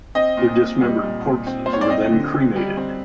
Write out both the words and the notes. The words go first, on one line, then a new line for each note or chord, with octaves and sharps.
Their dismembered corpses were then cremated.
C4 D#5
A#2
A#2
G3
A#2
A#2
C4
A#2 C5
C#5
D5
C4 D#5
D3
C4
G3
C4